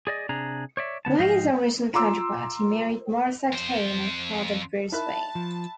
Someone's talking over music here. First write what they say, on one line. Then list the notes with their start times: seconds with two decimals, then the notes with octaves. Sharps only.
Like his original counterpart, he married Martha Kane and fathered Bruce Wayne.
0.07 G#4 D5 D#5
0.29 C3 D4 G#4 A#5
0.77 C#5 D5 E5
1.05 D3 F3 B3 A5
1.19 G#2 F3 G4 D#5 F5
1.93 F4 A#5 C6 D6 E6
3.53 F2 C5
4.92 D#4 E4 A#4 E5 A5 B5 F#6
5.35 F3